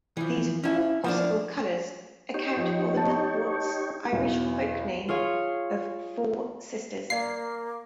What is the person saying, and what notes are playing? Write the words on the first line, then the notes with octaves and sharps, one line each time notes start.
These four possible colours account for the milkworts' Irish folk-name of 'four sisters'.
E3 F3
C#4 E4
F3 A#3 D4
D#4 G4 C#5
F3
A5
B1 E2
F4 G#4 C#5 F5
A#3 D5 F5 C7